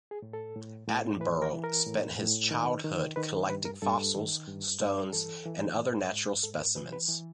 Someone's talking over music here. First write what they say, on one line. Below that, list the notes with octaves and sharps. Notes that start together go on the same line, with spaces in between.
Attenborough spent his childhood collecting fossils, stones and other natural specimens.
G#4
A2
A4
A2
A2
E3 B4
A#4
E3
A#4
A2
A2
D#3
D#3
D#3 B4
G2 B4
A#4
G2 A4
D#3
G2
G2
E3 A4
E3
G#2
G#2
G#2 A4
A#4
E3 B4
B4
E3